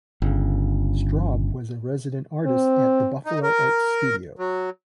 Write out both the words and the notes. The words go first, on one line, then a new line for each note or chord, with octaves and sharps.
Straub was a resident artist at The Buffalo Arts Studio.
G1 C#3
C4
D#4
A#4
F#3